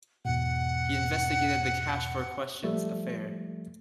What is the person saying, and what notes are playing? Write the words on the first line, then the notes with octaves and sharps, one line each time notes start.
He investigated the Cash-for-questions affair.
E2 G#2 B2 F#5
F3 G3 A3